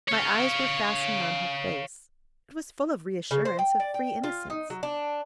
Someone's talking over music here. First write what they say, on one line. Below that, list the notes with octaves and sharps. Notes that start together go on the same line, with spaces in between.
My eyes were fastened on her face: it was full of reassurance, of free innocence.
C#5 F5
C#3
C5
G5
D5
G5
F4
D#4
F#3
D4